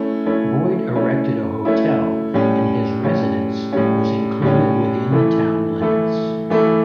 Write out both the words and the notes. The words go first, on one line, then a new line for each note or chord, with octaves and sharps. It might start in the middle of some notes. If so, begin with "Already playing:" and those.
Boyd erected a hotel and his residence was included within the town limits.
Already playing: A3 C#4 E4
A3 C#4 E4
A3 C#4 E4
A3 C#4 E4
A2 G3 C#4
A2 G3 C#4
A2 G3 C#4
A2 G3 C#4
E3 A3 E4 A4
E3 A3 E4 A4
E3 A3 E4 A4